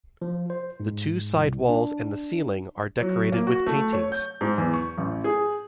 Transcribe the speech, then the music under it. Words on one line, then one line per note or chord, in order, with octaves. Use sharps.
The two side walls and the ceiling are decorated with paintings.
F3
C5
G#2
C2
D4
F#3
A#3
F#4
A3
C#5
G6
G#2
E2
C#6
A1
G#4